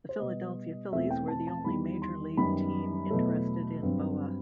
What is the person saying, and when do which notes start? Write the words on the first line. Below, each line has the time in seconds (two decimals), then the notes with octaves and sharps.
The Philadelphia Phillies were the only Major League team interested in Bowa.
0.09 C5
0.19 B2 G3 B3 D#5
0.92 E2 B2 A3 C4 E5
1.10 G5
1.28 A5
1.47 A5
1.65 E2 D#3 G3 B5
2.02 C6
2.37 F#2 D#3 G3 B3 B5
3.10 E2 B2 F#3 A3
3.83 G2 F#3 C4